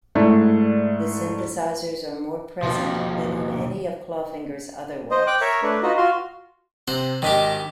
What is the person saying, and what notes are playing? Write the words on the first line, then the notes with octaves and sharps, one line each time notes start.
The synthesizers are more present than on any of Clawfinger's other works.
G#2 A3 D4 E4
D#2 B2 F3
C5 D#5
G5 D6 F#6
A#4 C#5 E5
A3 D4 B4
D#4 F4 F#4 B4 D#5
F4 F#4 F5 C6
C3 C4 C5 F#5
G#1 D#3 D4 G4 D#5 B6